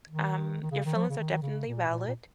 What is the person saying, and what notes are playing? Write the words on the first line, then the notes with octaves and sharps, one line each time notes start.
Um, your feelings are definitely valid.
D#3
D#3
C#3
D#3
F3
C#3
D#3
D#3
C#3
A#2
A#2
A#2